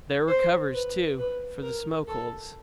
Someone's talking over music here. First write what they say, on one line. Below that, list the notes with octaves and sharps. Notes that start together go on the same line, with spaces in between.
There were covers, too, for the smoke-holes.
C5
B4
B4
A#4
A4